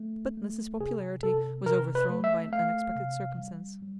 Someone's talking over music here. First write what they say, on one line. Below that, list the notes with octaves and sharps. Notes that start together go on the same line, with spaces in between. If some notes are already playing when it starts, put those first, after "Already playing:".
But Mliss's popularity was overthrown by an unexpected circumstance.
Already playing: A3
A3
C3 G#4
C3 A4
C3 A#4
B4
A3
E5
A3 F5
C3
G3
G3